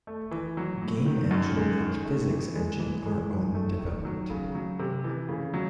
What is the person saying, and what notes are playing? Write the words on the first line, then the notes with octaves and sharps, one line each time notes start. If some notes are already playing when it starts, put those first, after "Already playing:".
Game engine and physics engine are own developed.
A3
E3
F#3
A2
D#3
F#2
G#3
D#3
A3
E3
G#3
E3
G#3
D#3
A3
D#3
F#3
C#3
F#3
C3
E3
C#3
F#3